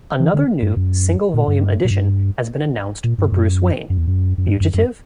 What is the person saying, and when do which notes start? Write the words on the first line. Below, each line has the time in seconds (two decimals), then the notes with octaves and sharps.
Another new single volume edition has been announced for Bruce Wayne - Fugitive?
0.20 E3
0.34 D3
0.62 G2
0.77 F#2
1.34 A#2
1.48 G2
1.85 A#2
1.91 G2
3.04 A#2
3.18 G2
3.32 F#2
3.90 F#2
3.97 E2
4.07 F#2
4.38 F#2
4.47 G2
4.60 F#2
4.74 F#2